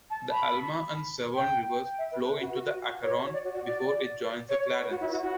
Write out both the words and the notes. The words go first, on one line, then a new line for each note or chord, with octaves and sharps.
The Alma and Severn Rivers flow into the Acheron before it joins the Clarence.
A5
B5
G5
E5
B4
F#4
F#4
F#4
F#4
C#5
C#5
D5
F#4
F#4
D5
C#5
B4
F#4
E4
F#4
F#4